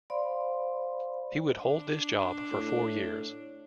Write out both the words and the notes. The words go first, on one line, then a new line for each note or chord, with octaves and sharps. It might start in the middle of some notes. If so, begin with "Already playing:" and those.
He would hold this job for four years.
C5 D5 F5 B5 C6
D4
A2